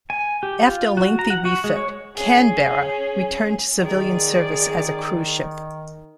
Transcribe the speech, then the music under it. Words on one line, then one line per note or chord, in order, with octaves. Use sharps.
After a lengthy refit, "Canberra" returned to civilian service as a cruise ship.
G#5
G4
F4
F#4
A#5
F#5
F#4
G#3
C#5
C#4 G#4
D#3 G#4 D5